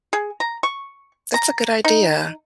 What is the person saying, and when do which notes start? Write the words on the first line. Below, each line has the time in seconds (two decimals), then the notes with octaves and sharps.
That's a good idea.
0.13 G#4
0.40 A#5
0.63 C#6
1.34 A#5
1.85 D#4